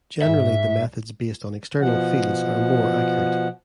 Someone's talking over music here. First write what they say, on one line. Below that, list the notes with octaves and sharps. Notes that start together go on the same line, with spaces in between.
Generally the methods based on external fields are more accurate.
G#2 E5
B2 F3 F#5